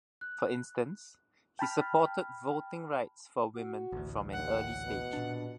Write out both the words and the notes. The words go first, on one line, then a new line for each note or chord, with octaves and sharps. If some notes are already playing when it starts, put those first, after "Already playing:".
For instance, he supported voting rights for women from an early stage.
F#6
G5 A5 B5 F6
F#4
A1 D2
D#2 F#5
B2
A#2 D4